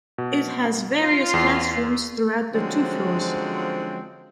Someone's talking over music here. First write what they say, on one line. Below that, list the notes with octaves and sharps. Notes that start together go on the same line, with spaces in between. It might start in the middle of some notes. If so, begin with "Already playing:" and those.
It has various classrooms throughout the two floors.
B2
F4 C7
E2
D3 F3 F#3 G#3 C4 C#4